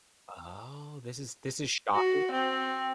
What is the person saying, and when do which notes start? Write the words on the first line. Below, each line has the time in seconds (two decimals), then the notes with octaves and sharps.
Oh, this is this is shocking.
1.94 F#4
2.31 C4